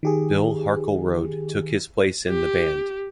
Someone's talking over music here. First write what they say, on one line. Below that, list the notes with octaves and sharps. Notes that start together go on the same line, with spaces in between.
Bill Harkleroad took his place in the band.
D#3 G4 G#4
G4